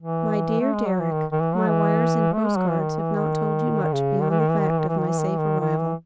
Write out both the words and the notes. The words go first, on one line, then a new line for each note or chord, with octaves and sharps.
My dear Deryck: My wires and post-cards have not told you much beyond the fact of my safe arrival.
E3
A3
G#3
F#3
E3
D#3
D#3
E3
F#3
E3
A3
G#3
F#3
E3
D#3
E3
D#3
D#3
C#3
D#3
E3
D#3
E3
D#3
E3
D#3
E3
D#3
E3
D#3
E3
D#3
D#3
E3